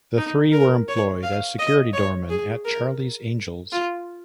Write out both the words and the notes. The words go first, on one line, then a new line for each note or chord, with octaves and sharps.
The three were employed as security doormen at Charlie's Angels.
D#4
A#4
C#5
F5
D#5
C#5
G#4
A#4
F4